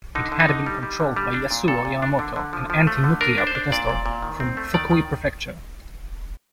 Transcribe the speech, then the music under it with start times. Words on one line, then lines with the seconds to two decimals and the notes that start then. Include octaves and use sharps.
It had been controlled by Yasuo Yamamoto, an anti-nuclear protestor from Fukui Prefecture.
0.15 D3 D#4
0.32 D3
0.40 D#4
0.49 D3
0.66 G3
0.83 G3
1.00 D3
1.16 G3
1.34 D4
1.51 A#2
1.68 A#2 A4
1.85 A#2
2.02 D4
2.19 D3
2.36 D3
2.53 F3
2.70 F3
2.87 A3
3.04 D3
3.21 D4 A#4
3.38 D4
3.47 C5
3.55 D4
3.72 A#2 D5
3.89 A#2
4.06 A#2
4.22 D#3
4.40 C4
4.57 A3
4.74 D#3 D5
4.91 D#3